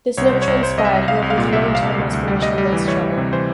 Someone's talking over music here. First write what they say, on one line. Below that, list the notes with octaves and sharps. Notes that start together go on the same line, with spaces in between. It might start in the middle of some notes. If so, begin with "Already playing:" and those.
This never transpired, however is a long term aspiration of Merseytravel.
C2 C#5
C2 C5
C#5
C2
C2 C5
C2 D#5
E5
C2
C2 F5
C2
F5
A#2
C2 E5
C2
F5
C2
D2
D2
G3
G3 D#5
G3
E3
E3 C#5
G3
C3
E3 C5